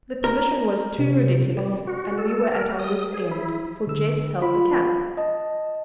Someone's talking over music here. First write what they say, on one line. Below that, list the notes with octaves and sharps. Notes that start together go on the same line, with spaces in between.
The position was too ridiculous, and we were at our wits' end; for Jess held the camp.
A#4
C3
G3
F#4
A4
A#4
D#6
G#4
E4
D3 E6
F4 B5
D#5 A5